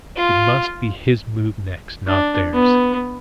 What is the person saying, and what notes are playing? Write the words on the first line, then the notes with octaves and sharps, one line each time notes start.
It must be his move next--not theirs!
F4
D4
B3